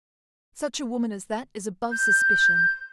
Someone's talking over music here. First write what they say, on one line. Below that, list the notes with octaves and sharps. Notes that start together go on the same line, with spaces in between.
Such a woman as that is above suspicion.
G6